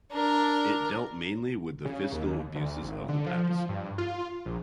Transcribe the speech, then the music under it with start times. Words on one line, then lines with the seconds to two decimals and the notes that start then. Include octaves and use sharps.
It dealt mainly with the fiscal abuses of the papacy.
0.11 D4 A#4
1.85 C#3
2.12 D#2
2.55 D2
2.82 G#1
3.08 D3
3.26 F3
3.50 F3
3.69 G2
3.98 F4
4.45 A#1